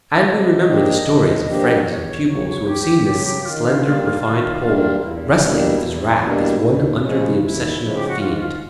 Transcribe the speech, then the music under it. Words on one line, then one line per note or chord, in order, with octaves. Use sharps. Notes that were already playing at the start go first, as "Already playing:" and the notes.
And we remember the stories of friends and pupils who have seen this slender, refined Pole wrestling with his wrath as one under the obsession of a fiend.
C#5
D5
C3 D#5
F3 A#3 D4 G4
C3
F3 A#3 D4 G4
D5
E2 C#5
C#3 F#3
E2 G4
C#3 F#3
D#3 F4
G3 A#3 D4
D#3
G3 A#3 D4
E2 E4
B2 G3 A#3 D4
E2
B2 G3 A#3 D4
D#2
C#3 F3 G#3 C#4
D#2 E4
C#3 F3 G#3 C#4
G4
F#4
G#2 F4
F4